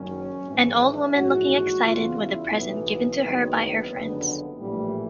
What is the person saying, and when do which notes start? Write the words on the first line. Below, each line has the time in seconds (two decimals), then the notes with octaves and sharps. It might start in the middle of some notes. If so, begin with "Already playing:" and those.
An old woman looking excited with a present given to her by her friends.
Already playing: F#1 F#2 D#3 C#4
0.46 G#1 G#2 E3 C4
0.81 C#4
1.14 A#1 G#2 E3 F#4
1.83 E2 C#3 E3 F4
2.18 E4
2.52 B1 A2 E3 B3
3.21 F#1 F#2 D#3
3.89 F#1 F2 D3
4.58 A#1 A2 E3 G3